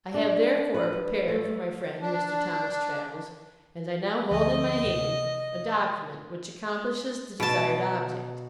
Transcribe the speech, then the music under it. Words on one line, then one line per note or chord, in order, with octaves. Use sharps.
I have, therefore, prepared for my friend Mr. Thomas Traddles, and I now hold in my hand, a document, which accomplishes the desired object.
D4
B4
A3
D4
D2 F3 D#5
C3
B2 A5